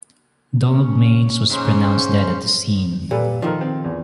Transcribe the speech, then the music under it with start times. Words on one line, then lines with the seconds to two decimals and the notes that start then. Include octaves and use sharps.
Donald Manes was pronounced dead at the scene.
0.65 C#4
1.50 G#2 C#4 C5
3.11 A#2 G3 A4 B4
3.42 D#3 F3 D#4 A4 A#4
3.61 C4
3.84 E2